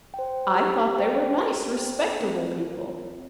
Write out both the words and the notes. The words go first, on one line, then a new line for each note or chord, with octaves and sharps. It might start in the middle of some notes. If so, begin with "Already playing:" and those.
"I thought they were nice, respectable people."
C5 G5
G4
C5 G5
G4
C5 G5
C4
F4 A#4
C4